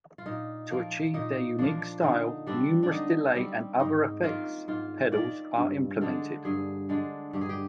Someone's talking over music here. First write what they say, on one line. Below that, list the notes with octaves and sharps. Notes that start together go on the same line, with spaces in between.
To achieve their unique style, numerous delay and other effects pedals are implemented.
F4
A#2 D#4
F3 A#3
A#2 D#4
F3 A#3 D4
D3 D#4
G3 C4 D4
D4
D3 D#4
G3 C4
G#2 D#4
D#3 A#3 F4
G#2 F4
D#3 A#3 D5
G2
D3 G#3 D4
G2 G#4
D3 G#3 D4
G2 G4
G#4
G4